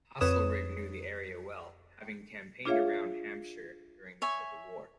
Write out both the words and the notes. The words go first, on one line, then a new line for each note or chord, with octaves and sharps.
Haselrig knew the area well having campaigned around Hampshire during the civil war.
F2 B4 C#5 D#6 E7
D4 F4 G#4 C#5 E5 F5
C#5 E5 G#5